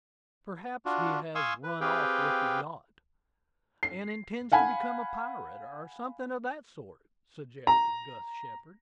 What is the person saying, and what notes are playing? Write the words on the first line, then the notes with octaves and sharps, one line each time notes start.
"Perhaps he has run off with the yacht, and intends to become a pirate, or something of that sort," suggested Gus Shepard.
D4 F4 F#4
F5 G#5 C6 C#6 D#6 E6
B4
C4 G4 G#4 B4 F5 G5
C7
F5 F#5 G#5 B5
A#5